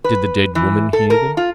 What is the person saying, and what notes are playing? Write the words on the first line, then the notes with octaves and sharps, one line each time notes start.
Did the dead woman hear them?
B4
E3
A4
A#4
F4